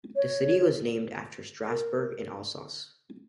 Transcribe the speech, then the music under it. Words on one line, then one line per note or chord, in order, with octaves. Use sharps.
The city was named after Strassburg, in Alsace.
C#5
A#4